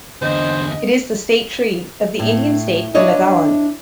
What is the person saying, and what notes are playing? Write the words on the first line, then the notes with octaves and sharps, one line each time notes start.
It is the state tree of the Indian state of Nagaland.
E2 D3 C5 D#5
A2
D4 E4 C#5 D#5